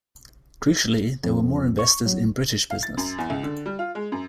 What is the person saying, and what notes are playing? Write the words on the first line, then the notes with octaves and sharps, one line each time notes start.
Crucially, there were more investors in British business.
F2
C#6
F#3
F5
A6
F#2
E2
C#2
D3
G3
F4
G#3
F#2